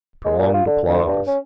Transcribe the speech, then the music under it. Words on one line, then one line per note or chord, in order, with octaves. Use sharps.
Prolonged applause.
G#3
A#2
F4
D3
D2
G2
C#4